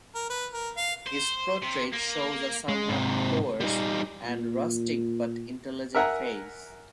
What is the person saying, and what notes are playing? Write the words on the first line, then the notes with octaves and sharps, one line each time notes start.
His portrait shows a somewhat coarse and rustic but intelligent face.
A#4
B4
A#4
F5
C5
C3
A#3
G#3
G#2 C3
G3 D#4
A#2
A#4 E5 F#5 G#5 A#5